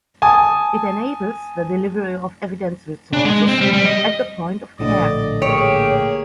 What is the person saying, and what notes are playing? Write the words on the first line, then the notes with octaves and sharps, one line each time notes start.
It enables the delivery of evidence resources at the point of care.
G#5 A5 D#6
D4
G#3
C4
G3
G3
D#5
A#1 A2 D3 D5 D#5
A#3 G4 G#4 C#5